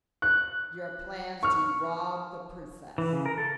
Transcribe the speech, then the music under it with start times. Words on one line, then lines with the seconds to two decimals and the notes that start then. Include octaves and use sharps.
"Your plans to rob the Princess."
0.22 F#6
1.43 C#6 F6
2.98 E3
3.13 C#3
3.26 A#4
3.38 A4